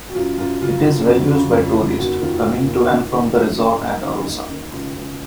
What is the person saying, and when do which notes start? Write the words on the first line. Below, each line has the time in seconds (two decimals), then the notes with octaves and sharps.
It is well used by tourists coming to and from the resort at Arosa.
0.09 F#4
0.15 F#2 F4
0.38 F#2 F4
0.61 C#3 F4
0.84 F#2
1.00 G#4
1.07 F2 F#4
1.30 C#3
1.53 F2
1.76 F2
1.98 D#2 F#4
2.21 D#3 F4
2.43 D#2
2.67 D#2
2.90 D#3
3.13 D#3
3.35 F#2
3.58 D#3 D#4
3.81 D#2 D#4
4.04 D#3
4.27 D#2 D#4
4.50 D#3
4.72 C#2
4.95 C#2